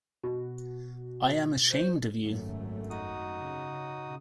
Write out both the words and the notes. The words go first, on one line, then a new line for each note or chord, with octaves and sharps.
I am ashamed of you!
B2 F#4
C5
G#1 F#2 A3
D#4 F#4 D#6
C#3